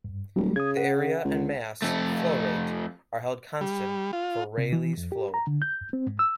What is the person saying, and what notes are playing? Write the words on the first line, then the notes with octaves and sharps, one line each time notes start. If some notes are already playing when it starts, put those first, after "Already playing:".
The area and mass flow rate are held constant for Rayleigh flow.
G2
D#1 F#3 G3 A3
C#3 D#6 G#6
F#5
C#2
F2 A3
G3
F4
C3
E3
F2
G4
A#5
D3
G6
C4
G#2
E6